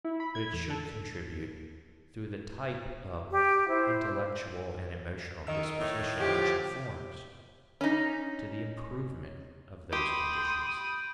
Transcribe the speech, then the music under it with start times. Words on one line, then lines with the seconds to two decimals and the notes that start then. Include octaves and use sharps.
But it should contribute through the type of intellectual and emotional disposition which it forms to the improvement of those conditions.
0.05 E4
0.20 B5
0.35 G#6
0.53 E2
0.70 A4
3.30 G4
3.68 E4 C5
5.47 D#3 D#5 E6
5.80 A2
6.19 D3 F3 G4
7.81 C#4 D#4
9.93 G4 B5 C6 D#6 G6 D7